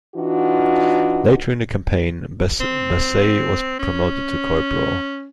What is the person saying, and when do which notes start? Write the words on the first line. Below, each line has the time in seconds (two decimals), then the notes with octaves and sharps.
Later in the campaign, Bassett was promoted to corporal.
0.15 E3 D4 D#4 F4 F#4
2.61 C4
3.79 C#4